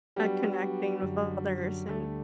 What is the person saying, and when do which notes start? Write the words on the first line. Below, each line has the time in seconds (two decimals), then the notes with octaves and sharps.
at connecting with others and
0.16 F#3 G3 B3 D4 F#4
1.02 F#2 D3 F#3
1.89 D2 D3 G3 A3